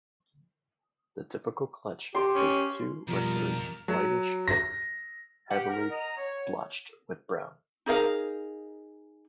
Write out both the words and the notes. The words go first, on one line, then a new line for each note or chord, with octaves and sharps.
The typical clutch is two or three whitish eggs heavily blotched with brown.
G4 C6
C#4
F2 B2 F3 G3 A#4
F#3
A#6
G4 F#5
A#4
D#5 A#5
C#5
D#4 G#4 A#4 F5